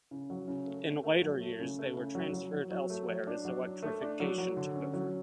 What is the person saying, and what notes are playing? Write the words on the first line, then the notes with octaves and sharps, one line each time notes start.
In later years they were transferred elsewhere as electrification took over.
C#3
F#3
C#3
A3
A3
A3
F#3
A3
C#3
A3
C#3
F#3
F#3
F#3
F#3
A3
F#3
D4
F#3
D4
A3
D4
F#3
F#3
D3
C#4
F#3